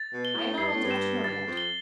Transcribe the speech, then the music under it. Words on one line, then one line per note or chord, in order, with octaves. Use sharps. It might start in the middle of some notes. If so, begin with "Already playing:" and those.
"I am not old enough to know yet."
Already playing: A6
B2
G7
A2
G2 C7
A2
G2
E7
G2 A6
F2
G7